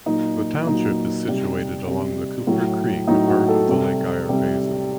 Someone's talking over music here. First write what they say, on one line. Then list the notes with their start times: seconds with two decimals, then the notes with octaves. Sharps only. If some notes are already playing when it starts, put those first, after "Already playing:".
The township is situated along the Cooper Creek, apart of the Lake Eyre Basin.
0.06 A#2 F#3 D#4
0.66 A#2 F#3 D#4
1.27 C3 G3
1.87 C3 G3
2.47 A2 F#3
3.07 A2 F#3 D#4
3.27 F#4
3.48 A4
3.68 C3 G3
4.29 C3 G3